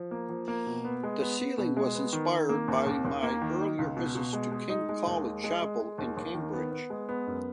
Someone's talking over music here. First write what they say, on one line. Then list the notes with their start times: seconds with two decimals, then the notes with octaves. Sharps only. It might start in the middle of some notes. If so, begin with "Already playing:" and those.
The ceiling was inspired by my earlier visits to kings College Chapel in Cambridge.
Already playing: F3
0.11 A#3
0.29 F3
0.48 A#3
0.66 B2
0.85 B3
1.03 G#3
1.21 B3
1.40 B3
1.58 B2
1.76 G#3
1.95 B3
2.13 D#3
2.32 D#3
2.49 A#3
2.68 D#2
2.86 D#2
3.05 D#2
3.23 A#3
3.42 D#3
3.60 D#4
3.79 C#2
3.97 B2
4.15 B2
4.33 G#3
4.52 G#3
4.70 D#4
4.89 G#3
5.07 D#2
5.25 G#3
5.44 G#3
5.62 G#3
5.80 G#3
5.98 D#2
6.17 D#2
6.34 D#3
6.53 B3
6.72 B3
6.90 G#3
7.09 B3
7.27 F#2